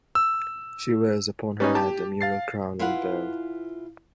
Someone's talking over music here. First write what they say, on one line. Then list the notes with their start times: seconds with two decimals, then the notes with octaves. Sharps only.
She wears upon her head a mural crown and veil.
0.15 E6
1.60 G3 C#4 D#4 B4
1.75 G4 A5
2.21 F5 A6 C7
2.79 E4 F4 G#4 B4 F5 F#5